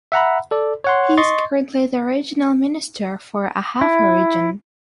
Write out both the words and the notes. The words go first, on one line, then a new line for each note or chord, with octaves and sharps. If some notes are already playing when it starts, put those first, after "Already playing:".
He is currently the Regional Minister for Ahafo region.
E5 F#5 A#5 B5
A4 D5
C#5 F#5 C6
D#5 C6 C#6 A6
E4